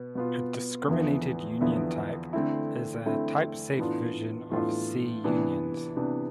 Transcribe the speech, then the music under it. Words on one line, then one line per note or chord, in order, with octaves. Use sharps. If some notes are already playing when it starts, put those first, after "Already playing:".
A discriminated union type is a type-safe version of C unions.
Already playing: B2 B3
B2 B3 F4
E2 D3 F3 B3 E4
E2 D3 F3 B3 E4
D3 A3 C4 E4
D3 A3 C4 E4
A2 E3 B3 D4 F4
A2 E3 B3 D4 F4
C3 E3 B3 D4
C3 E3 B3 D4